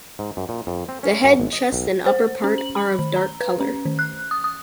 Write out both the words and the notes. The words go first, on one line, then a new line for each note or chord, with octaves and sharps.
The head, chest and upper part are of dark color.
G#2
F#2
A#2
F2
C4
C#4
F#2
G#1
D#5
B1
C5
C#4
F#7
B5
D#3
A#5
B4
C#4
D#3
F#6
D#6
D#6